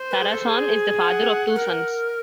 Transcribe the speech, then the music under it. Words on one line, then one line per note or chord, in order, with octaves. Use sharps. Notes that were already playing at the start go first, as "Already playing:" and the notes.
Sarasohn is the father of two sons.
Already playing: C5
B4
G#4
A4
G#4
F#5
A#4